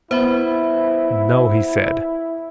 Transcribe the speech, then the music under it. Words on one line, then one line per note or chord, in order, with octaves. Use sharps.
"No!" he said.
B3 E4 C5 E5 B5